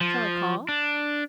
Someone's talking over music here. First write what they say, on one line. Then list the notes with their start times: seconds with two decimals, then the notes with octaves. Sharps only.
"Shall I call?"
0.01 F3
0.68 D4